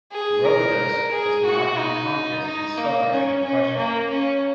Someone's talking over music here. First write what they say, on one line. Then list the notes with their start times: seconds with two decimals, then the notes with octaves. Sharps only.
Robidas was knocked unconscious and suffered a concussion.
0.12 G#4
0.45 A#4
1.11 G#4
1.45 F#4
1.78 D#4
2.44 D#4
2.77 A#3
3.11 C#4
3.44 C#4
3.76 A#3
4.10 C#4